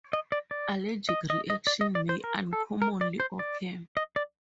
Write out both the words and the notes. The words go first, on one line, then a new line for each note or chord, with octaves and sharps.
Allergic reactions may uncommonly occur.
D#5
D5
D5
D#5
D#5
D#5
D5
D#5
D5
C5
A#4
A4
A#4
D5
C5
D5
D#5
D5